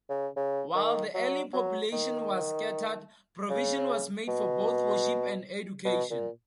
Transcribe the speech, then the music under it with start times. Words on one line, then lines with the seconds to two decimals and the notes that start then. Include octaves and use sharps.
While the early population was scattered, provision was made for both worship and education.
0.10 C#3
0.36 C#3
0.75 D#3
1.14 F#3
1.53 F#3
1.92 D#3
3.50 C#3
4.28 B2
5.85 B2
6.10 A#2